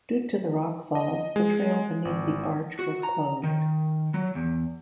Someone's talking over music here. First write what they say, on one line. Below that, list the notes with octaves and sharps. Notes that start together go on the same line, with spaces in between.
Due to the rockfalls, the trail beneath the arch was closed.
D#5
G#3
G#1
F#4
A#5
D#3
F#3
E2